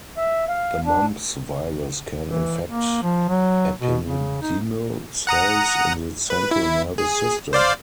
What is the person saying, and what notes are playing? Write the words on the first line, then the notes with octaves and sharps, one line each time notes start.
The mumps virus can infect ependymal cells in the central nervous system.
E5
F5
D4
E3
A#3
F3
F#3
B2
C#3
D#4
F#5 A#5 D#6
B4
E4
G#4
C5 D5 F5